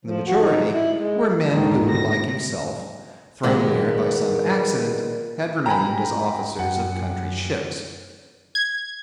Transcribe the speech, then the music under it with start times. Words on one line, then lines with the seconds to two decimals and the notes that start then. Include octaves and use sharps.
The majority were men who, like himself, thrown there by some accident, had remained as officers of country ships.
0.05 F3
0.27 F#4
0.39 D#4
0.72 E4
0.97 G#3
1.49 D#2 G#2 D3 D#3
1.91 A#6
3.43 A#2 D#3 G#3 A#3 B3
5.66 G5 G#5 A#5 B5
6.59 F#2 F#5
8.55 G#6